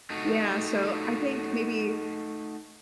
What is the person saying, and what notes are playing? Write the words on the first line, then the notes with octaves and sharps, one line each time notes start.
yeah, so I think maybe
A3 D#4 F#4